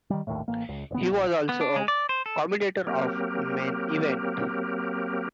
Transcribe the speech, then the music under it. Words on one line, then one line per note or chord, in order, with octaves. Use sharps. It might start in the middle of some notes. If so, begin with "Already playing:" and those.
He was also a commentator of "Main Event".
D#3 G3
A#1 D#2 A2
A1 A#3
C#2
D#1 B3
A#1
B3
D4
G#3
D5
C5
A4
F#3 A#3 C4 G4 A#4